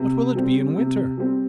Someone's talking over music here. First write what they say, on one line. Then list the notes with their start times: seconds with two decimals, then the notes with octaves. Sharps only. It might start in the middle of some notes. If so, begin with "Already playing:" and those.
"What will it be in winter?"
Already playing: C3
0.35 G3 C4
0.76 C3
1.18 G3 C4